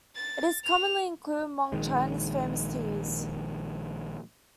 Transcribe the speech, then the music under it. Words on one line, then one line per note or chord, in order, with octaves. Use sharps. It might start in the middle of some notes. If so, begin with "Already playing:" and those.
It is commonly included among China's famous teas.
A6
F7
A#1 D#3 G#3